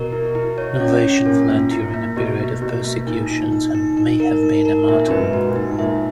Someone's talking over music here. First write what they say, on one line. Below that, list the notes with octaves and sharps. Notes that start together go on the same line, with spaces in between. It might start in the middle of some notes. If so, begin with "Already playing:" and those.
Novatian fled during a period of persecutions, and may have been a martyr.
Already playing: B2 A#4
E4
E4
C#5
C#4
C#4
A#2 C#4
A#3
E4
A#3
B2 E4
A#3
B2 E4
A#3
A#2 D#4
D#4
D#4
D#4
D#4
A#4
D#4
A#4
A#2 E5
F#2 B4
G#2
F#4
A#2
D#4
G#2
A#2 E5